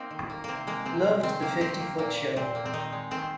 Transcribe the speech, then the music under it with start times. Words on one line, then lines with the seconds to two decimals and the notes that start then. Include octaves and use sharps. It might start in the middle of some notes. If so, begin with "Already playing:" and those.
Loved The Fifty-Foot Show.
Already playing: A#3 C4 D#4
0.11 D#3
0.30 A#3
0.44 C3 A#3 C4
0.67 G#3 A#3
0.86 C3 C4
1.04 G#3
1.23 D#3 C4
1.42 A#3
1.61 D#3 C4
1.80 A#3
1.98 A#2 A#3
2.17 A#3
2.36 A#2 C4
2.55 A#3
2.66 C4
2.73 D#3 D#4
2.92 G#3
3.11 D#3 C4